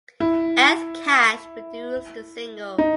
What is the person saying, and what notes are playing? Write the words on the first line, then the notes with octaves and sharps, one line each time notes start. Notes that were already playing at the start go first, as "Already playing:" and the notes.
Ed Cash produced the single.
E4
D#4